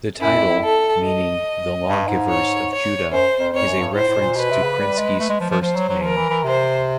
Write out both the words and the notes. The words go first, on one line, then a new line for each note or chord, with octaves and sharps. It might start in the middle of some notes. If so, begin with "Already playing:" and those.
The title, meaning "The Lawgivers of Judah", is a reference to Krinsky's first name.
F#2 E4
F2
F2
A4
D#5
G2
G#2
C#5
C#5
F#2 C5
F2
F2 C#5
F#2
G2
A2 C5
A2
B2
A#2
B2 B4
C3
C#3
G3
G#3
A3
G#3
F3
F3
F3 C5
F#3
F#3
F3 A#4
E3
E3
C3 C5